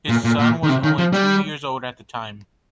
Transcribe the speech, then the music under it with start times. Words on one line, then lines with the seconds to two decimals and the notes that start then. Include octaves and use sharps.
His son was only two years old at the time.
0.09 A#2
0.24 A#2
0.39 A#2
0.63 D#3
0.69 C3
0.83 D#3
0.98 F3
1.13 G3